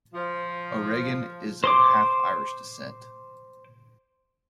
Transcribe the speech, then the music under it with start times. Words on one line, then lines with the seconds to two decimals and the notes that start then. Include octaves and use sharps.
O'Regan is of half Irish descent.
0.14 F3
1.64 C5 C6 D6